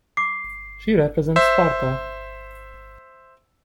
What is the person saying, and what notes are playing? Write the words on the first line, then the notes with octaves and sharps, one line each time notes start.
She represents Sparta.
D6 C7
C5 E5